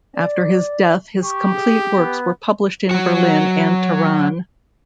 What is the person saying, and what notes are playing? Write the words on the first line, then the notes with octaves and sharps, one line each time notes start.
After his death his complete works were published in Berlin and Tehran.
D5
G4 C#6
G#4
B3
F#3 F#4